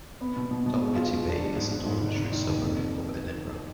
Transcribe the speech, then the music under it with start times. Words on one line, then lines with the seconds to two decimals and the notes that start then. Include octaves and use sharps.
Dalgety Bay is a dormitory suburb of Edinburgh.
0.21 B3
0.36 B2
0.51 B2
0.66 B2
0.81 G#3
0.96 F4
1.12 G#3
1.26 D4
1.41 G3
1.56 G#2
1.71 G#2
1.86 G#2
2.02 F1
2.17 F1
2.32 D#3
2.47 D#2
2.62 F2